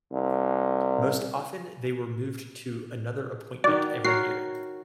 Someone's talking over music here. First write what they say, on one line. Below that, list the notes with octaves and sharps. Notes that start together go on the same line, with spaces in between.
Most often they were moved to another appointment every year.
C2
D#3 F#4 D5
F#4 A#4 C#5 C7